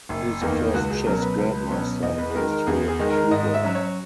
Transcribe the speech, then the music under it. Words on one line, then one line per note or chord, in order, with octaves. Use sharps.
He is the first chess grandmaster in the history of Cuba.
F#1
E2 D#3 A#3
C#2 F#4
G#4
B2 F#3 C#4 A#4
B4
C#2
B2 F#3 C#4
E2 D#5
B4
B4
D#3 G#3 A#4
A#4
E2 G#4
G#4
D#3 G#3
A#4
G#2 D#5
E5
F#3 C#4
C#5